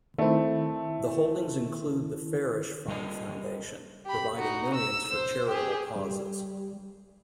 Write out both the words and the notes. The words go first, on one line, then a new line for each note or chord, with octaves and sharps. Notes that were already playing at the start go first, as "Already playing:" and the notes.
The holdings include the Farish Fund foundation, providing millions for charitable causes.
D#3 A3 C4 E4
G3 A#4 D#5
G4 B5
D#4 F#4
E6
C5
G4 G#4
G3